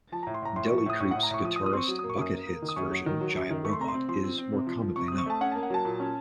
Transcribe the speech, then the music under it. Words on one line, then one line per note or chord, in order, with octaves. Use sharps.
Deli Creeps guitarist Buckethead's version "Giant Robot" is more commonly known.
F3 A5
A#5
A2
C6
A2 A#5
A2 C6
C#6
F3
C#6
A2 D#6
A2 C#6
F#5
A2
A#5
A2 C#6
F3 D#6
D#6
F3
D#6
C4 C6 C#6
F#3
A#3 D#6
C#6
F#2 D#6
A#3
A#3
D#3
D#6
F#2 C#6
F#3
D#3
F#3
F#2
D#3
A3 C#6
C6
C3 A#5
C6
C4
F3 C6
C4
C4
C3
F3
F3
C3 C#6
D#6
C4
C#6
A3 A5
C#4 F#5
A5
A#3
F#5
F#3 A5
A#2
C#4